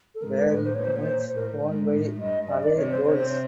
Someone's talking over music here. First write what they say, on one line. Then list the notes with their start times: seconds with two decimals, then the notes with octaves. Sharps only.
Bayern Munich won by away goals.
0.15 A4
0.22 G#2 A#4
0.36 B4
0.50 A2 B4
0.65 C5
0.75 A#2 C#5
0.85 C5
0.96 C#5
1.05 C5
1.35 A2 A#4
1.64 G#2
1.92 A2
2.20 G2 D#5
2.48 G2 D5
2.58 D#5
2.63 D5
2.77 C3 C#5
2.91 C5
3.05 C3 C#5
3.19 C5